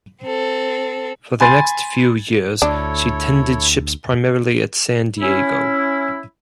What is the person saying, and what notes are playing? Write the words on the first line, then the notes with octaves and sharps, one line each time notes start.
For the next few years, she tended ships primarily at San Diego.
C4 A4
G#5 B5 C6 A6
D2 D4 E4 A4 C#5
C#4 E4